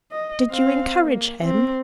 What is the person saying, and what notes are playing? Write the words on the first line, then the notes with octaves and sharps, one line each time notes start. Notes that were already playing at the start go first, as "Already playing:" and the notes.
"Did you encourage him?"
D#5
C4 F5
A#3
C4